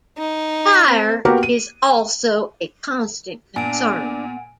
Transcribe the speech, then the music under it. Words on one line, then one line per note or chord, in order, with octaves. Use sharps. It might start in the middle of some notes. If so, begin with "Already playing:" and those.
Fire is also a constant concern.
D#4
C4
A#3 B3 F#4 G4 A#4
D#7
A#2 B3 D4 G#5 D7